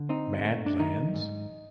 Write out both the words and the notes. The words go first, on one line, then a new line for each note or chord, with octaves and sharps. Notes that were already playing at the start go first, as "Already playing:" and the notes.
Mad Lands?
Already playing: D3
C4 D#4
A3
D4
D#3 D#4
G#2